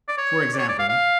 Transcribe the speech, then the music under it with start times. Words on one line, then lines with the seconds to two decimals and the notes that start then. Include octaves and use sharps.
for example,
0.08 D5
0.18 C#5
0.54 D5
0.59 C#5
0.68 D5
0.79 F5
0.89 F5